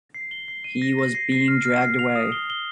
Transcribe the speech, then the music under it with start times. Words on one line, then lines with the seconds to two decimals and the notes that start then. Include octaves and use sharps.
He was being dragged away.
0.14 C7
0.31 G7
0.48 C7
0.64 D#7
0.82 A#6
0.99 A#6
1.15 C7
1.32 C7
1.48 F6
1.66 F6
1.82 C7
1.99 F7
2.15 D#6
2.32 G7
2.50 G7